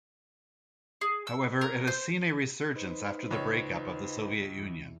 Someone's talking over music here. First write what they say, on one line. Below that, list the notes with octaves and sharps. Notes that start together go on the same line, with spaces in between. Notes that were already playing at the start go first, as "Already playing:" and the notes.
However, it has seen a resurgence after the break-up of the Soviet Union.
G#4
E6
A#4
C5
D#4 B4 C5
C#2 C#5
E2